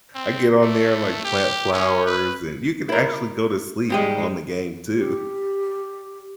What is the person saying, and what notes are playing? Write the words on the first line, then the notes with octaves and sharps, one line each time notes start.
I get on there and, like, plant flowers, and you could actually go to sleep on the game too.
C4
A3
G4
C#4
B4
E4 A#4
G#2 G3 G#3 G4 D#5
G4